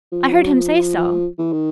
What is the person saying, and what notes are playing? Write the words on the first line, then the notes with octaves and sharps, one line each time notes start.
I heard him say so.'
F3
F3
F#3
F3
F3
E3
D#3